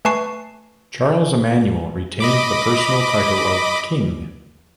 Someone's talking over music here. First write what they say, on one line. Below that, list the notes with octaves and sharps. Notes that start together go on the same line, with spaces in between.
Charles Emmanuel retained the personal title of King.
A3 B4 G#5 A5 C#6 C7
D#5 B5 D6